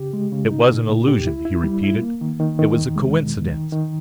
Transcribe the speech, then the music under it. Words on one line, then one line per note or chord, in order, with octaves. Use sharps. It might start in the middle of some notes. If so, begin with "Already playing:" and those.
It was an illusion, he repeated; it was a coincidence.
Already playing: C#3 G4
G#3
C#3
D#4
A#2
A#2
G4
E4
E4
G3
E4
A#3
D#3
D#3
D#3
E2
G#3
B2
E2
D#3
D#3